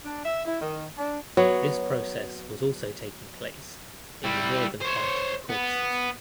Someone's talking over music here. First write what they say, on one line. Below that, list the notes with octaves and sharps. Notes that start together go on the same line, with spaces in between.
This process was also taking place in the northern part of the Caucasus.
D4
E5
E4
D#3
D4
F#3 B3 C#5
G3 E4
C5 C#5
B3